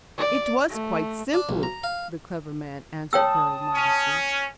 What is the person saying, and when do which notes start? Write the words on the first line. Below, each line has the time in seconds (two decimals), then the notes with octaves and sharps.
"It was quite simple," the clever man answered very modestly.
0.17 D5
0.69 A3
1.34 D4
1.49 B1
1.63 A#5
1.84 F5
3.13 C#5 G5 A5 D#6 E6
3.75 C#4